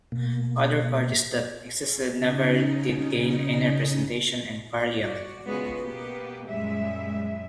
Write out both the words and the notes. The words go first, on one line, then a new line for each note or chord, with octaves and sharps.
Other parties that existed never did gain any representation in parliament.
B2 A#3
C#3 C#4 D#4
F#4 D5
C#3 G#3 B3 F4 F#4 G#4
B2 A#3 B3 G4
F#2 A#2 G3 G#3 E5